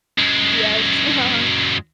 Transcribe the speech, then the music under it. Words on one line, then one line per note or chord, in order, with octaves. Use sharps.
Yes. Uh-huh. Sa
F#2 G#3